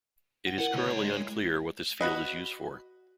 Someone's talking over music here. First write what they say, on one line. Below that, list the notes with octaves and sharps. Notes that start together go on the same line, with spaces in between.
It is currently unclear what this field is used for.
F#5 G7
E4 A#4 F#5 D#7
C#2 C#5
G#3
F#4 B4 D#5